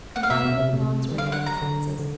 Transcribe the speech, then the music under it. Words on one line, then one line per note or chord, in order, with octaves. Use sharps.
Combined with loans were heavy taxes.
F#5
F5
B2 E5
B2
C3
B2
C3
D#3
D3 F5
F#5
A#5
D3
D3